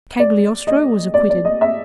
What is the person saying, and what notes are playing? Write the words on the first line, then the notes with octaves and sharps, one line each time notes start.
Cagliostro was acquitted.
D5
D#5
D5
D5
D#5
E5